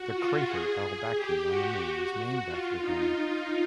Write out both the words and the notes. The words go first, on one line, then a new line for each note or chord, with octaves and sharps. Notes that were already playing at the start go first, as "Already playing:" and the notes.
The crater Al-Bakri on the Moon is named after him.
Already playing: F#4
F4
G#4
G4
F#4
F4
D#4